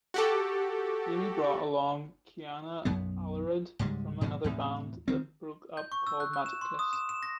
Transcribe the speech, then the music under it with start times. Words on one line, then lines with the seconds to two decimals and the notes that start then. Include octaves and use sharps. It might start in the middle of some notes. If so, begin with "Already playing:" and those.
Jamie brought along Kianna Alarid from another band that broke up called Magic Kiss.
0.14 F#4 G4 A4
2.85 B1 F#2 F#3 B3
3.79 C#2 G#2 G3 G#3
4.21 G#2 B2 D#3 F#3
4.44 E2 A2 C3
5.08 D#3 C4
5.77 G6
5.92 C#6
6.07 E6
6.20 F#6
6.33 F#6
6.46 E7
6.61 C6
6.79 D#6
6.93 E7
7.09 E7
7.23 A#6